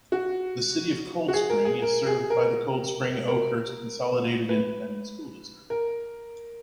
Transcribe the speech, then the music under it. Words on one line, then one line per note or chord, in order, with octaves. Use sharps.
The City of Coldspring is served by the Coldspring-Oakhurst Consolidated Independent School District.
F#4
F#4
G#4
A#4
G#4
A#4
G#4
A#4
A#4
B4
A#4